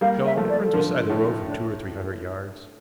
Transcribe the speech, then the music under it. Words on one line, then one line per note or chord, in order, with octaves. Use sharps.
"No, it runs beside the road for two or three hundred yards."
G3 A#3 F5
E5
F3 A3
D5
A4
D3 F3 A#4
F4
A2
F4
D4